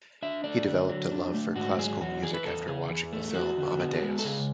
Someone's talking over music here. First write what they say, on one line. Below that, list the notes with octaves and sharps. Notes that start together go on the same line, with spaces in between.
He developed a love for classical music after watching the film "Amadeus".
D4 E5
A3 D5
D3
F#3
D4
A3
G#2 F#4
F#3 G#4
E2 F#4
E3 G#4
B4
E2 A4
C#3 G#4
E2
A3
E2 F#4
D3
B3
G#3
A4
C#3 G#4